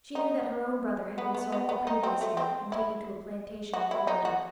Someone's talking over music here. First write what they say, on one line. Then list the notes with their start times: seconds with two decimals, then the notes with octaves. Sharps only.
She knew that her own brother had been sold the previous year and taken to a plantation in Florida.
0.15 D#4
1.18 B3
1.35 B3
1.52 B3
1.69 B3
1.87 D#4
2.03 C4
2.21 A3
2.37 C4
2.72 E4
3.73 F#4
3.91 E4
4.07 D#4
4.25 F#4